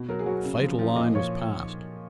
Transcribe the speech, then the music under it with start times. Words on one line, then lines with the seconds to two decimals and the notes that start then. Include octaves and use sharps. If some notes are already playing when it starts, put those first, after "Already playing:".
The fatal line was past.
Already playing: B2
0.09 F#3 A#4
0.19 G#4
0.26 F#3 F#4
0.44 C#3
0.62 F3
0.79 F3
0.96 A#2 D#5
1.15 F3 C#5